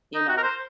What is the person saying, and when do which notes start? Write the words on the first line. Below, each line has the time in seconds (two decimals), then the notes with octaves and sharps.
You know,
0.15 D#4
0.29 F#4
0.37 A#4
0.43 C5